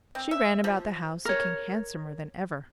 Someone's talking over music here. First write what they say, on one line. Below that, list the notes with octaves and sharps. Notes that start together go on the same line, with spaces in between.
She ran about the house looking handsomer than ever.
C4
E5
F3
A#4 C#5